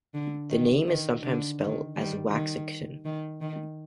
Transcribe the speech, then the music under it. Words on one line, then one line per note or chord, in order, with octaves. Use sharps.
The name is sometimes spelled as Waxaktun.
D3
D#3
D#3
D3
D#3
D#3 G3
D#3
D#3
D#3